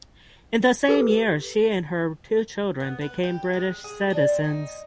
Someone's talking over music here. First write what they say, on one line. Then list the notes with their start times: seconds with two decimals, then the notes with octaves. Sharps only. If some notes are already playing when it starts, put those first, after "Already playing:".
In the same year she and her two children became British citizens.
0.88 G4 A4 B4
2.80 B3
3.01 B4
3.23 G4
3.53 G#3
3.84 G#4
4.10 D4
4.28 C4
4.44 D#4